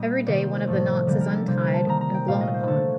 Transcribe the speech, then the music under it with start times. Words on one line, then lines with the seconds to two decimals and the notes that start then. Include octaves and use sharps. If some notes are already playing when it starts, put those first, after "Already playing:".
Every day one of the knots is untied and blown upon.
Already playing: A#2 G3 A#3 D#5
0.27 C3 D#3 A#3 D5
0.40 C5
0.53 D5
0.67 A2 F3 A3 D5
1.07 D3 G3 A#3 D5
1.21 A#4
1.34 A4
1.48 C3 G3 A#3 C5
1.61 A#4
1.74 A5
1.86 C3 D#3 A#3 A#5
2.01 A#5
2.14 G5
2.28 A#2 A3 F5
2.41 D#5
2.54 C5
2.68 D3 A3 A4